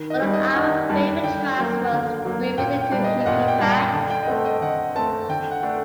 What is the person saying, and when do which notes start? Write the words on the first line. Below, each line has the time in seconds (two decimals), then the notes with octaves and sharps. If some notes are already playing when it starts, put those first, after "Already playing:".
One of our favorite tracks was "Groovy Little Hippie Pad".
Already playing: D#3
0.10 D#5
0.22 G3
0.27 D4
0.33 D#5
0.46 D#5
0.55 D#3 F#5
0.89 G3 D4 A5
1.23 D3 G5
1.57 F#3 A#3
1.91 D3
2.25 F#3 A#3
2.58 A#2 G5
2.81 G5
2.92 G3 D4
3.04 D#5
3.20 D#5
3.26 A#2 F#5
3.48 G5
3.59 G3 D4 A5
3.71 G5
3.93 D3 A5
4.10 G5
4.23 D#5
4.27 A3 C4 F#5
4.45 D#5
4.61 D3 F#5
4.96 A3 C4 A5
5.28 D3 G5
5.51 F#5
5.63 A3 D4